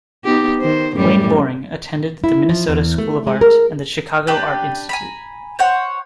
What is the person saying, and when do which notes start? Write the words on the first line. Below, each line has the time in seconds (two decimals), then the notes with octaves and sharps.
Wayne Boring attended the Minnesota School of Art and the Chicago Art Institute.
0.24 B3 D#4 G4
0.60 D#3 C5
0.96 F#2 A2 G3
2.24 E4
2.49 F3
2.69 E2
2.98 A3
3.27 G#3
3.41 A#4
4.27 D4 G4 B4
4.89 G#5 A#5 B5
5.59 C5 C#5 F#5